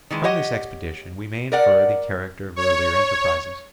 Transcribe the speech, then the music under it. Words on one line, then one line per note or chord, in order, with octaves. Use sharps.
And from this expedition we may infer the character of earlier enterprises.
D#3 E3 G#3
G4 C#5 D#5 F#5
A#4 D5 F#5
C#5